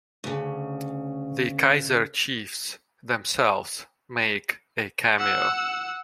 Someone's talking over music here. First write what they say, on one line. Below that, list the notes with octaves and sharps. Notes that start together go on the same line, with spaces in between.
The Kaiser Chiefs themselves make a cameo.
D2 C#3
F#5 E6